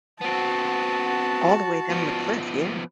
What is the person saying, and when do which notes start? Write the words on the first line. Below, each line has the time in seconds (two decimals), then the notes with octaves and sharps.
All the way down the cliff, yeah.
0.22 B3 C4 F#4 A5
1.90 F3 B3